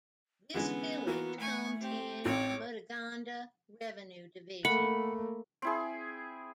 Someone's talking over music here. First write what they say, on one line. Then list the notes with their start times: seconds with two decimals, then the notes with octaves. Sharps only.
This village comes in Mudigonda revenue division.
0.54 D3 E3 G#3 B3 C#4
1.07 E3 A#3 F#4
1.40 A3 G#5 C#6
1.81 C4 G4
2.25 A1 A2 C4 C#5 D6
4.65 A3 A#3 F#5 B5
5.62 C4 E4 G#4